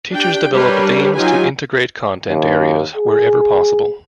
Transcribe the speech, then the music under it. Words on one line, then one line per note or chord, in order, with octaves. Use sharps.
Teachers develop themes to integrate content areas wherever possible.
D4 G4 G5
G3 D4 G4 A#4 B4 C#5
F#3 D#4 F4 G4 G#5
D#2
G#4